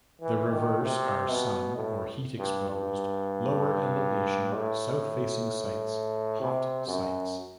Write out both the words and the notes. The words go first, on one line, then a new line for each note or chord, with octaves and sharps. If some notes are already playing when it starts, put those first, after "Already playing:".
The reverse are sun- or heat-exposed, lower-elevation, south-facing sites: "hot sites".
E3
D#3
C3
B2
A2
G2
G2
A2
C3
F#2